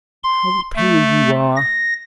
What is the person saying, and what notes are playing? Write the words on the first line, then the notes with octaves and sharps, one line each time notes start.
How pale you are!'
C6
A3
A#6